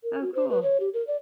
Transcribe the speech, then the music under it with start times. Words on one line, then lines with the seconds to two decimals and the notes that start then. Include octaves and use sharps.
Oh, cool.
0.04 A#4
0.22 F#4
0.35 C5
0.50 B4
0.63 C#5
0.80 G4
0.94 A#4
1.07 D5